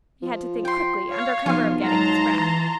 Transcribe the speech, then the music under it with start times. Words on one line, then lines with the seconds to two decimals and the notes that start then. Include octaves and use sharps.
He had to think quickly under cover of getting his breath.
0.23 F3
0.65 G5 C6
1.10 C#5 F5
1.46 B1 F3 F4 F6
1.83 G#2 F#3 A5 A#5 C6
2.33 E3